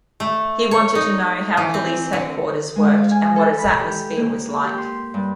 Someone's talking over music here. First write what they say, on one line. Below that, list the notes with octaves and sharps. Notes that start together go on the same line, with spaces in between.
He wanted to know how Police Headquarters worked and what its atmosphere was like.
A3
C#5
D#4
E3
C4
D3
G#3
F5
G#5
A4
B5
G4
A#3
G4
C6
G2